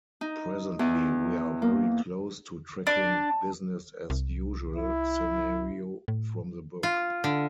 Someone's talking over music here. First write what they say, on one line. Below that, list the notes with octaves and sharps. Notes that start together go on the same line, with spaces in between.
Presently we are very close to tracking "business-as-usual" scenario from the book.
D#4
E2
A#3
D4
C2
E4
A2
F4
D3